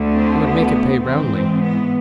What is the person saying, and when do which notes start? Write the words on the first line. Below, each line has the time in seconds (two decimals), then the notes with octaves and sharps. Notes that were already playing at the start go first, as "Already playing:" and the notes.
He would make it pay roundly.
Already playing: D2 D3 A3
0.12 C4
0.42 B3
1.01 G#2 E3 G#3 C4
1.61 B3